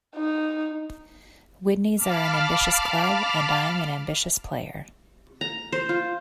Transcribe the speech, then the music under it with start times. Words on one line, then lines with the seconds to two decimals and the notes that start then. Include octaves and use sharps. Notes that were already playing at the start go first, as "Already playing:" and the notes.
Widnes are an ambitious club and I'm an ambitious player.
0.16 D#4
1.96 F5 A5 B5 D6 F6
5.41 A#5
5.72 C5
5.89 F4